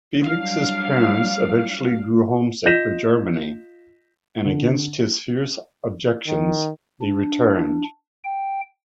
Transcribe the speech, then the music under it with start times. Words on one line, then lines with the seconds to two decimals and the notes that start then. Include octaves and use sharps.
Felix's parents eventually grew homesick for Germany and, against his fierce objections, they returned.
0.24 F#3 G3 D4 F5
2.65 F4 D#5 G6 A#6 B6 E7
4.45 D3
6.27 D#3
7.02 D4
8.24 G5